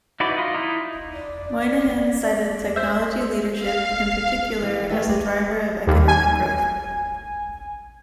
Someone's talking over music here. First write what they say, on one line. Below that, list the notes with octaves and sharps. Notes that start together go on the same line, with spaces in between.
Moynihan cited technology leadership, in particular, as a driver of economic growth.
D#4 E4 F#4 B4 D5
F4 D#5
D#4 E4
D5
C5 E5
F5
E3 G3
A3 G4 B4 E5
D5
D#2
G#5